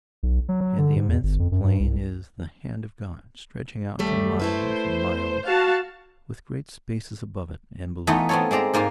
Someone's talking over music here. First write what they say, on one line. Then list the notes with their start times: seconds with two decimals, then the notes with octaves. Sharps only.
And the immense plain is the hand of God, stretching out for miles and miles, with great spaces above it and below it.
0.23 B1
0.49 F#3
0.60 F#3
0.78 D3
0.96 G#2
1.09 E2
1.23 G1
1.39 F2
1.52 F#2
1.64 G2
1.80 C2
3.99 D#2 G3 A3
4.40 A3 E4 B4 C5
5.46 F#4 F5 A5
8.07 E3 A3 B3 D#4 F4
8.29 B3 C4 F4 A4 C#5
8.51 G#3 C4 D5 A#5
8.74 G#2 A#3 F4 F5